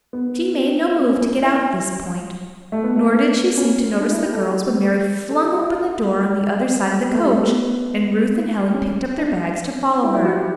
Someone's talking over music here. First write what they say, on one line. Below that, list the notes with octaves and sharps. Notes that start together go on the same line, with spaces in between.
She made no move to get out at this point, nor did she seem to notice the girls when Mary flung open the door on the other side of the coach, and Ruth and Helen picked up their bags to follow her.
B3
B3
C#4
C#4
C#4
E4
A3
B3
A3
B3
C#4
D4
E4
G4
A4
G4
A4
G4
F#4
E4
B3
A3
G3
A3
B3
C#4
D4
E4
E4
F#4
G4